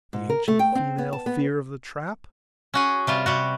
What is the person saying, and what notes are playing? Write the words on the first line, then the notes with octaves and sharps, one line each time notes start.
The ancient female fear of the trap?
G#2
A#4
A3
G5
C4
B3
A5
B3
C#4 F#4 G#4
C3 G3 F4
C3 G3 F#4